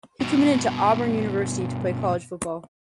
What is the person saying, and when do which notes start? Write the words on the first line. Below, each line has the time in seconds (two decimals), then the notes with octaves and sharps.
He committed to Auburn University to play college football.
0.20 G2 B2